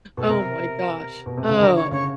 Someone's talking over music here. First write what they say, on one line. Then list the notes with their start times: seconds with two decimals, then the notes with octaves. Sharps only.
Oh my gosh. Oh.
0.17 B2 A4
0.28 C3 A#4
1.26 B2
1.37 C3
1.48 C#3
1.59 D3 A#4
1.76 C#5
1.91 C#3 C#5